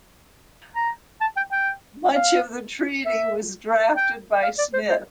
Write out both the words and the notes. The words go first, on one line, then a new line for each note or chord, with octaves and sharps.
Much of the treaty was drafted by Smith.
A#5
A5
G5
G5
F5
E5
G5
F5
D5
C5
C5